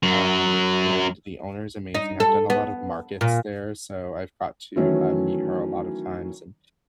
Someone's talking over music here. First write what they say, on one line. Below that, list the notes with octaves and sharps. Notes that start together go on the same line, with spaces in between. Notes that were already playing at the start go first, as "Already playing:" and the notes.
Um, and the owner's amazing, I've done a lot of markets there, so, I've got to, uh, meet her a lot of times and,
F#2 F#3
D#4
A4
B3
A#2
D#3 E3 F#3 A3 C#4